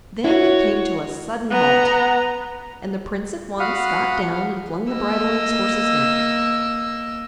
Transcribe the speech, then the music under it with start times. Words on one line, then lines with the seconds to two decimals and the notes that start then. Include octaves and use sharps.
Then it came to a sudden halt, and the prince at once got down and flung the bridle on his horse's neck.
0.24 E4 F#4 C#5
1.50 B3 A#5
3.60 F#4 F5 F#5 B5 D#6 F6
4.89 A#3 D#5 E6